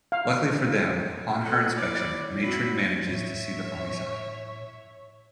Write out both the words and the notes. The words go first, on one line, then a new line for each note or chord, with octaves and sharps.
Luckily for them, upon her inspection, Matron manages to see the funny side.
F5
A4 F#5
E4 C#5 D5
C4 E4 F#4 B5
A2 C#5 E5